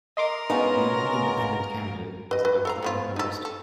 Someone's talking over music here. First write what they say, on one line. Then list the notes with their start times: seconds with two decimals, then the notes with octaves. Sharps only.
The only independent candidate was elected unopposed.
0.17 A#4 D#5 C6 D6
0.50 G#3 B3 C#4 D#4 F4 A#5
2.31 B4 D#5
2.45 B4
2.65 A4 F5 A#5
2.83 F3 B3 F4
3.16 D#4 A4
3.45 A4